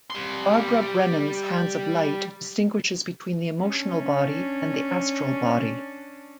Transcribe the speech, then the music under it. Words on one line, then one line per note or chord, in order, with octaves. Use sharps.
Barbara Brennan's "Hands of Light" distinguishes between the emotional body and the astral body.
G3 C6
C#4 D4